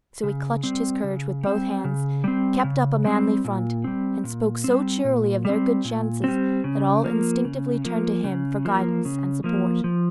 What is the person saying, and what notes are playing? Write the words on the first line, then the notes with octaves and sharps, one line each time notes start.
So he clutched his courage with both hands, kept up a manly front, and spoke so cheerily of their good chances, that all instinctively turned to him for guidance and support.
C#3
G3 C4
C#3
G3 C4
C#3
G3 C4
C#3
G3 C4
A#2
G3 C4
A#2
G3 C4
A#2
G3 C4
A#2
G3 C4
C#3
F3 A#3
C#3
F3 A#3
C#3
F3 A#3
C#3
F3 A#3
F3